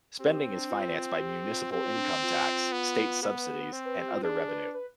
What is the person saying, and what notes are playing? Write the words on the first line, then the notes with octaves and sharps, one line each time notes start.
Spending is financed by municipal income tax, state subsidies, and other revenue.
C4 G4
D4
F4
G4
F4
C4 G4
F4
D4
F4
B3
B3 G#4
B4
G#4
B4
C4 C5
B4
G4
F4
D4 G#4
B4
B4